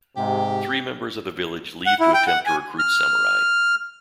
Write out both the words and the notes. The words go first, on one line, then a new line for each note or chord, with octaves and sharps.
Three members of the village leave to attempt to recruit samurai.
G#2 C3 G4
F#5
E4
G5
F#5
G#5
F6